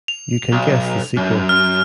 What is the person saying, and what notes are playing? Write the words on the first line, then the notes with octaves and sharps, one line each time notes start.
You can guess the sequel.
F7
B1
F#2
F6